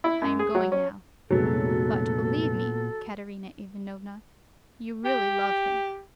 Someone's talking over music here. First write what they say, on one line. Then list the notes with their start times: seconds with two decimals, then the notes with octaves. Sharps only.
I am going now; but, believe me, Katerina Ivanovna, you really love him.
0.04 E4
0.22 F#2
0.39 G#4
0.55 F#3
0.72 C#4
1.31 F1 A#2 F#3 G#3 B3 A4
5.05 G4